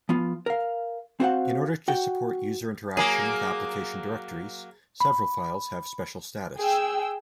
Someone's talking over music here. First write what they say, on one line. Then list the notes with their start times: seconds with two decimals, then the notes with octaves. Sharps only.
In order to support user interaction with application directories, several files have special status.
0.09 F3 B3 F4
0.46 A#4 F5
1.20 C4 F#4 C5 F5 F#5
1.88 F#4 F#5 G5
2.97 F#3 A#3 G#4
5.00 B5
6.58 G#4 G5 E6